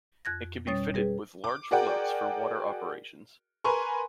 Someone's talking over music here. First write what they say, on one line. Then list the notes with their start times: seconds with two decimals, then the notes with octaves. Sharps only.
It can be fitted with large floats for water operations.
0.25 F2 F#6 G#6 A#6
0.67 B2 G3 C#4 C#5 D#6 A6
0.94 G3 G#4 B4
1.44 D6
1.71 F#4 G#4 A#4 D5 F#5 G5
3.64 A#4 B4 G#5 A#5 C6 C#6